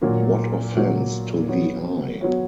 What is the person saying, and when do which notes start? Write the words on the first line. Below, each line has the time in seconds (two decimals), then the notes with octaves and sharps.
What Offence to the Eye!
0.01 A#2 F#3 A#3
0.74 A#2 F#3 A#3
1.47 F#3 B3 F#4 C#5
2.21 F#3 B3 F#4 C#5